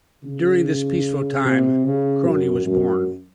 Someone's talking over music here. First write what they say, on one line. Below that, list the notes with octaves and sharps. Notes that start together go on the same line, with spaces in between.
During this peaceful time, Kroni was born.
C#3
C3
C#3
F#2
F#2